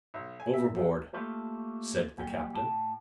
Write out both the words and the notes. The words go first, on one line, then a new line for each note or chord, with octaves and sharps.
"Overboard!" said the captain.
B1
G#5
E5
C3
A3 A#3 E4 F4 G4 A4
A#2 F#3 G3 G5
A2 G5 A5